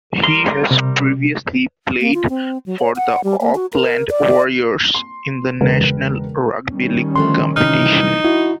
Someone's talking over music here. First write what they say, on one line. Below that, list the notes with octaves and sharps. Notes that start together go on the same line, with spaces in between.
He has previously played for the Auckland Warriors in the National Rugby League competition.
G3 A#4 C6
C3
A#3
F4
C4
F#3
C#5
F#5
G3
A#3
F#4
A#4
D5
C6
E1 C#3 A#4 B4
D#3 G3 C#4
D3 F3 A3 C6
C3 E3 D#4 F6
E4 F#4